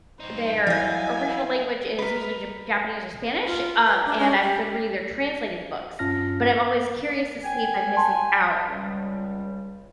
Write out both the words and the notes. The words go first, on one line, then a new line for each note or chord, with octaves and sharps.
their original language is usually Jap Japanese or Spanish, um and I've been reading their translated books, but I'm always curious to see if I'm missing out
G2 D#4 C5
F#3 E4 D#5 F5 G#5
A#4 B4
F4
B4
D4
C#4
G4
G2 C#4 F4 A5 F6 A#6
G5 G#5
A5 C6
C#2 G3